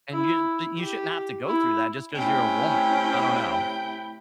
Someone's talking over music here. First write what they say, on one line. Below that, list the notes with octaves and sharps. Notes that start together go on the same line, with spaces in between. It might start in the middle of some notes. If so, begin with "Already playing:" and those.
and you you shouldn't have to go through that just 'cause you're a woman. I don't know.
E4
G4
E4
C3 A3 C#4 E4 G5